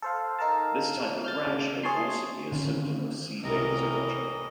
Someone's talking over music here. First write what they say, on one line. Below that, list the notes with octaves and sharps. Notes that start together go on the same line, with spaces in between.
This type of rash can also be a symptom of Sea bather's eruption.
A4 C5 F5
D#4 A4 A#4 F5 A5
F6 G6 A6
C#3
G#4 C#5 A5 C6
D3 D#3 C4 C#4
C2 A2 E3 A#4 D#5